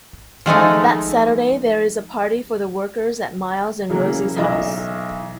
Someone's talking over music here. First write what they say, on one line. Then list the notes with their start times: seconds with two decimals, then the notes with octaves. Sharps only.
That Saturday, there is a party for the workers at Miles and Rosie's house.
0.46 F3 G#3 A3 D#4
3.89 C#3 E3 F#3 A#3
4.37 B1 E3 D#5 E5